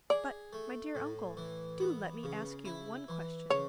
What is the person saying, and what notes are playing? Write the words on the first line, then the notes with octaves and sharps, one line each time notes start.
"But, my dear uncle, do let me ask you one question."
G#4 D5
A3
A2
E3
B3
C#3
E4
E3
C#3 C#5